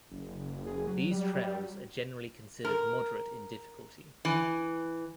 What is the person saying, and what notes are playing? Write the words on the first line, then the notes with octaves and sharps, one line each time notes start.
These trails are generally considered moderate in difficulty.
F#1
G#4
F#3
G3
A#4
E3